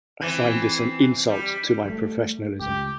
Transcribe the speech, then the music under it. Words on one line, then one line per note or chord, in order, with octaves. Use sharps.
I find this an insult to my professionalism.
E3 C4
G3
G3 A3
C#2 G4